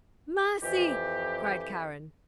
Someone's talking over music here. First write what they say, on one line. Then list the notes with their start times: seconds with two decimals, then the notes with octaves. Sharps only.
"Mercy!" cried Karen.
0.62 F2 E3 G4